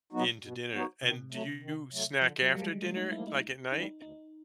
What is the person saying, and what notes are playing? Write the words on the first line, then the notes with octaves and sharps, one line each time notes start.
into dinner. And, do you snack after dinner, like, at night?
F#3 B3 D#4 F#4
B2
F#3 B3 D#4 F#4
C3 D#3
F#3 A3
D#3
F#3 A3
D3 F3
F#3
F3 G3 A#3
G#3
D3 A3
D#4
F3 A#3 E4
D#4
D2
C#3 E3 G3 D#4
D2 D#4